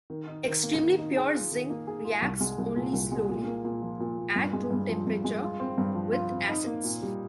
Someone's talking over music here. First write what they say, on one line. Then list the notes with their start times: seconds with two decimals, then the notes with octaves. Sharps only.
Extremely pure zinc reacts only slowly at room temperature with acids.
0.10 D#3
0.27 D#4
0.45 D#3
0.63 A#3
0.81 D#3
0.98 D#4
1.17 G#4
1.34 F4
1.52 D#3
1.70 A#3
1.87 G#4
2.05 F4
2.22 C2
2.41 G#3
2.58 C2
2.76 A#2
2.93 C2
3.12 G#3
3.29 A#2
3.47 A#3
3.65 A#2
3.82 F3
4.00 A#2
4.18 A#3
4.36 G2
4.53 G#3
4.71 G2
4.89 F3
5.07 G2
5.24 G#3
5.42 F4
5.60 C4
5.78 G2
5.95 F3
6.13 F4
6.30 C4
6.48 D#4
6.66 A#3
6.84 A#2
7.02 G3